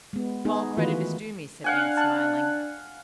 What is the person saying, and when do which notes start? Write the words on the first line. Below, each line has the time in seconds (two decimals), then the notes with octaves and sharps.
"Small credit is due me," said Anne, smiling.
0.13 G#3 B3
0.45 B3 D#4 G#4
0.77 D#3 E3 A3 F4 F#4 B4
1.64 D4 F5 F#5 G#5
1.97 A5 F#6